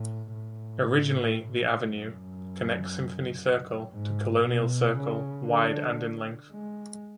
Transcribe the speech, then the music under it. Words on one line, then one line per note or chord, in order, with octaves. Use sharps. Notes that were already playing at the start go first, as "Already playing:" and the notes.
Originally The Avenue; connects Symphony Circle to Colonial Circle; wide and in length.
Already playing: A2
A2
F#2
G#2
B2
C#3
D3
G#3